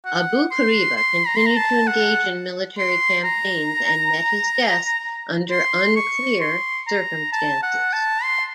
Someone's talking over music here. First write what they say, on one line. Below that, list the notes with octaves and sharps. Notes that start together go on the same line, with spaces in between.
Abu-Kariba continued to engage in military campaigns and met his death under unclear circumstances.
F#5
C6
C6
A#5
C6
A#5
A5
F#5
C6
A#5
C6
C#6
C6
A#5
A5
F#5
A5
C6